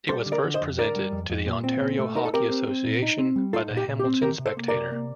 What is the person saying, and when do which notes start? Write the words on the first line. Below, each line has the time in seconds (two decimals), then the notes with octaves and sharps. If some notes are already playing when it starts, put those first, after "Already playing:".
It was first presented to the Ontario Hockey Association by "The Hamilton Spectator".
0.09 G3 A4 C5
0.26 D3
0.32 A#4 D5
0.43 D3
0.54 C5 D#5
0.61 F2
0.78 D3 A#4 D5
0.96 G3
1.12 F2
1.30 F2
1.46 A#2
1.64 C4
1.81 A#2
1.99 A3
2.15 D#4 A#4
2.25 A4
2.33 C4 G4 A#4
2.50 C4
2.68 C4
2.84 A#2
3.02 D#4
3.18 C4
3.36 G3
3.53 D#4 F4 A4
3.70 A#2
3.77 G4
3.88 A#2
4.00 G4
4.05 C4
4.22 D#3 G4 A#4
4.39 C3
4.46 A4 C5
4.57 A#3
4.68 A#4 D5
4.74 C3
4.92 A#3